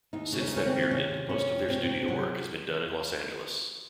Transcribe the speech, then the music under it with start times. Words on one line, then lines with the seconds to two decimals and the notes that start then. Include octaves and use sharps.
Since that period, most of their studio work has been done in Los Angeles.
0.13 D#2 D#4
0.32 C#3
0.40 C#4
0.48 D#4
0.52 D#2 C#4
0.66 C4
0.72 D#2
0.82 D#4
0.90 C3 C#4
1.11 C3
1.29 C3 C#4
1.49 F2
1.68 C3 C4
1.76 C#4
1.83 C4
1.88 F2
2.08 C3 F#3